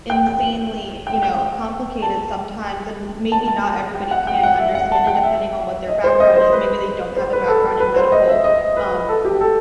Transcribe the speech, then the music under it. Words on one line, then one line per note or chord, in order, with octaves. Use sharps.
Insanely, you know, complicated sometimes, and maybe not everybody can understand it depending on what their background is, maybe they don't have a background in medical, um,
G5
G5
G5
G5
A5
A5
A5
G5
F#5
G5
F#5
E5
F#5
A5
G5
E5
D#5
C5
D#5
C5
B4
C5
B4
A4
A4
B4
C5
D#5
E5
D#5
B4
A4
G4
A4